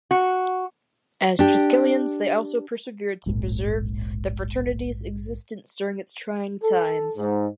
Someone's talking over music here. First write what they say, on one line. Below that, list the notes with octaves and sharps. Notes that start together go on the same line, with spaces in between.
As Triskelions they also persevered to preserve the fraternity's existence during its trying times.
F#4
D4 G4
D1 A#1 G#2
A4
G#2